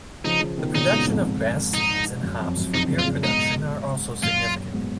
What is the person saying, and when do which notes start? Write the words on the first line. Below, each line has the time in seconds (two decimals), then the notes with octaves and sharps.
The production of grass seeds and hops for beer production are also significant.
0.24 C#3 F3 D#4
0.41 C#3 F3
0.58 B2 D#3
0.74 A#2 C#3 D#4
0.91 G#2 B2
1.08 F2 G#2
1.74 D#4
2.23 F#2
2.40 F2
2.57 F#2
2.74 F2 D#4
2.90 A#2 C#3
2.99 F4
3.06 A#2 C#3
3.23 G#2 B2 D#4
4.23 F#2 A#2 F4
4.72 G#2 B2